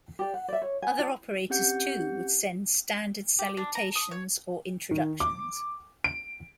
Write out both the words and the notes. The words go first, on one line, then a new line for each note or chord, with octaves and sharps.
Other operators too would send standard salutations or introductions.
G4 D5
F#5
D5 E5
C#5
G#5
F4 D5 A5
C4 C#4 G4 F#5 G6 C#7
G4
D4
A#5
D#6
C#5
D#3
D6
D7